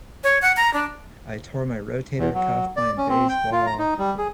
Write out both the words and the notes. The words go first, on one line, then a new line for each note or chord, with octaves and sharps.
I tore my rotator cuff playing baseball,
C#5
F#5
A#5
D4
E2
F#3
D5
C#4
C4
G5
F4
A#5
D#4
G3
G#4